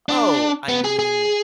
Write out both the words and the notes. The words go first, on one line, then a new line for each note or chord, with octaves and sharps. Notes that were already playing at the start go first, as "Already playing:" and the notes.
Oh, I mean, w
D4
B3
G#4
G#4